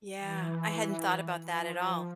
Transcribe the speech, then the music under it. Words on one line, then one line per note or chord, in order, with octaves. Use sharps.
Yeah, I hadn't thought about that at all,
E3
F3